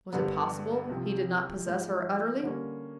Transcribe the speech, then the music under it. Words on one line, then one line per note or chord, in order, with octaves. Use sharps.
Was it possible he did not possess her utterly?
G2 D3 G3 B3
C2 C3 F3
G#2 F3 G#3
D3 G3 A#3 C#4